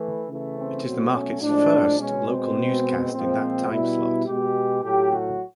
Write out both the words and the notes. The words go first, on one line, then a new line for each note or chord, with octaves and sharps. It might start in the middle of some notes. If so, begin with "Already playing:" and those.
It is the market's first local newscast in that timeslot.
Already playing: E3 A3
C#3 E3 A3
C4
B2 F#3 A3
C#4
A2 F3 G#3 D4
B2 G#3 C#4
C4
B2 G#3
A#2 F3 G#3 C4
B2 G3 E4
B2 G#3 G4
A2 F#3 A3 G4
F#4